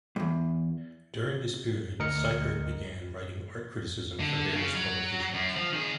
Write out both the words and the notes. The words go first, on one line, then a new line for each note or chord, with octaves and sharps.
During this period Sickert began writing art criticism for various publications.
E2 G2
D2 A#4 D#5 C#7
D3
C#3
F#3
F#2
F3
D#3 G#4